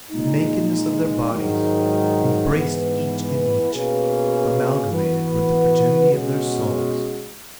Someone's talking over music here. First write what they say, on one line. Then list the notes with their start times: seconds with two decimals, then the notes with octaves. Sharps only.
The nakedness of their bodies, embraced each in each, amalgamated with the virginity of their souls.
0.11 A#2 G#3 D#4
1.31 G#2 D#3 F#3
2.51 G#2 E3 B3
3.71 B2 A#3 C#4 G#4 B4
4.91 E3 B3 F#4 B4
6.11 B2 G#3 C#4 F#4